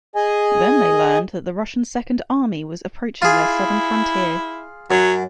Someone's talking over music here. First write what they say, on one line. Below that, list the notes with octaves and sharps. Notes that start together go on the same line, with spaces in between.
Then they learned that the Russian Second Army was approaching their southern frontier.
G#4 D#5 G#5
E4 F4 G#4
F#2 F#3